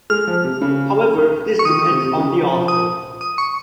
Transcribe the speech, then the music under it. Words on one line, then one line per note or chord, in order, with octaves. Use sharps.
However, this depends on the author.
G#3 F6
F3
C3
C#3
C#6
D#3 D#6
D#3
C3
C3
C#3
F3
D#6
D#6
C#6